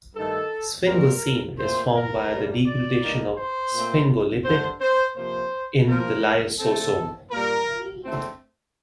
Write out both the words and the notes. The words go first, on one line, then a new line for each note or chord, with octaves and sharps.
Sphingosine is formed via degradation of sphingolipid in the lysosome.
G2 D#3 A3 A4
A#2 G3 C4 A#4
A#2 A3 C4 C5
A#4
A2 G3 A#3
D5
G2 D#3 A#3
C5
A#2 A3 C4
G2 D3 A3 C5
C5
C3 F3 A#3 C5
G2 F3 A#3 A#4
D3 A3 C4 A4
A#2 G3 A#3 A#4
D3 A3 C4